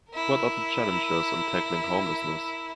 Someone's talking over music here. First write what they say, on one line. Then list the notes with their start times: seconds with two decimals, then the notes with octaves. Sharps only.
What are the challenges in tackling homelessness?
0.11 E4 A#4